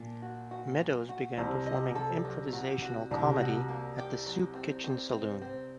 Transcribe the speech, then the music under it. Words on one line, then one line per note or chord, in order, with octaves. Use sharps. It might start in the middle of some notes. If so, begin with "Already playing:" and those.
Meadows began performing improvisational comedy at the Soup Kitchen Saloon.
Already playing: A#2 D4
F#4
F#4
F#3
F#4
C2 C3 C5
D#5
A4
F#3
F#4
F#4
C2 C3 D4
F#4
A#3
G4
F#3
C4
C4
C4
C4